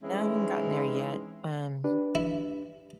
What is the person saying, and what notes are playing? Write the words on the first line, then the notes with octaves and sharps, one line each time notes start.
Haven't gotten there yet, um,
E3 G#3 C4 C#4 D#4 E4
D4 G4 B4
E4